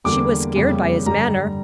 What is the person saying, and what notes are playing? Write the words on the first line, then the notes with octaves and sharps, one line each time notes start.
She was scared by his manner.
E2 D3 G3 A#3 D6
F2 C#3 G3 A#3 C#4
G2 D3 G3 A#5